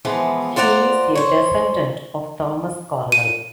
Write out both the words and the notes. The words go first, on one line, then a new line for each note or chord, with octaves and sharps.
He is a descendant of Thomas Cornell.
E3 F3 G#3 B3
F4 C5 D5 F#5 A#5
C5 C#5
D#7